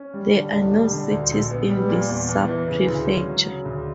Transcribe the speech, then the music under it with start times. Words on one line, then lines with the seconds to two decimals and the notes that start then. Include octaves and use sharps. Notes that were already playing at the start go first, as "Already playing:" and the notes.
There are no cities in this subprefecture.
Already playing: C#4
0.14 G3
0.33 D3
0.52 E1
0.72 G3
0.92 D3
1.11 D2
1.31 A#1
1.50 B3
1.70 G3
1.89 A#2
2.09 E2
2.29 E2
2.48 E3
2.68 C#3
2.87 D2
3.06 C#4
3.26 F#3
3.46 C#3
3.65 D2